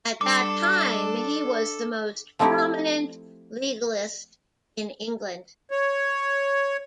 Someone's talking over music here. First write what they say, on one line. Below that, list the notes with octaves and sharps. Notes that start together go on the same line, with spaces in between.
At that time, he was the most prominent legalist in England.
G3 D4 A4 D6
F3 A3 C4 D#4 E4 G4
C#5